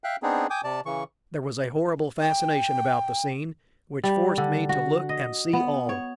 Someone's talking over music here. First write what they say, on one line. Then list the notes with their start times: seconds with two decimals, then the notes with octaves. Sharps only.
There was a horrible fascination about the scene which forced me to look and see all.
0.04 E5 F5 G5 F#6
0.23 B3 C4 D4 D#4 G#4
0.50 G5 G#5 D6 D#6 G6
0.64 C3 D5 A5
0.86 C#3 E3 C#6
2.19 G5
4.04 G3
4.38 D3
4.69 F#4
5.09 D#5
5.53 B3
5.89 C#5